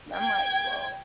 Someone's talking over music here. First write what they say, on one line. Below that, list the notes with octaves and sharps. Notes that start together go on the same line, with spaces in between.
and I'm like, "Well,
G5 G#6